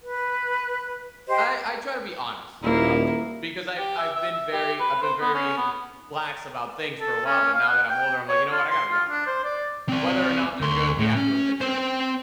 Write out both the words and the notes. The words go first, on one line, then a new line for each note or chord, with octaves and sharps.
I I try to be honest about things because I've I've been very I've been very lax about things for a while, but now that I'm older, I'm like, "You know what, I gotta be honest about things." Whether or not they're good, we have to admit certain things.
B4
G4 C5 D#5
D#1 A#3 E4
G4
E5
E5
E5
G4
B4
C5
B3
C#4
B3
A4
C#4
F5
F#5
G5
C#5
F4
C6
F4
D4
C5
D5
C4 D5
D2 C6
A2
C#4
C4 C5